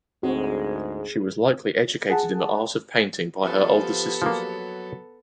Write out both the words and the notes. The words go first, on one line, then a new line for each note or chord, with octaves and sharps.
She was likely educated in the art of painting by her older sisters.
D2 G#2 G#3 C4 F#4
G#4 F#5 A5
F3 B3 G4 A4
F3 F#3 A#3